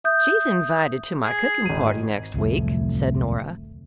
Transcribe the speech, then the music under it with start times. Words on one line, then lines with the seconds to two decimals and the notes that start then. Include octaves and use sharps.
"She's invited to my cooking party next week," said Nora.
0.04 E5 D#6 G6
1.24 G#4
1.66 G#1 D#7
2.34 D1 C2 F2 A3